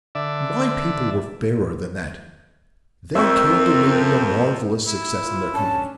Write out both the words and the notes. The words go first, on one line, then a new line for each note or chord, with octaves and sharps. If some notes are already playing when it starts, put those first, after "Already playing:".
My people were fairer than that--their character made me a marvelous success in their company.
D3 D5 E5
F2 C4 A#4 E5 C#6
E4
F4
C#4 D4 A5